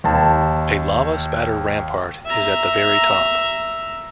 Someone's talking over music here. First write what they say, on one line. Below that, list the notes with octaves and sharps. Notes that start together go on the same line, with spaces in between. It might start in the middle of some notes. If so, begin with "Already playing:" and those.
A lava spatter rampart is at the very top.
D#2 A5
E5 A#5